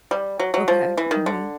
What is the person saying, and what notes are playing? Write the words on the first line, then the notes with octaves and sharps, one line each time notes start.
Okay, mhm.
G3
F#3
F#3
F3
E3
D#3
D3